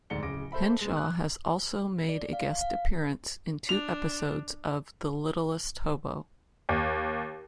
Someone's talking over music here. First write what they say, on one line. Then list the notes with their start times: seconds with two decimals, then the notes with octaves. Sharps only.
Henshaw has also made a guest appearance in two episodes of "The Littlest Hobo".
0.10 F1 D2 G#2 D5 C#7 G7
0.22 D1 C#3 D6 A#6 D7
0.52 A4 C5 E5 B5
0.81 G#3 B3
0.97 F#6
2.09 D5
2.33 F5
2.61 F5
3.69 D4 F7
6.69 D#2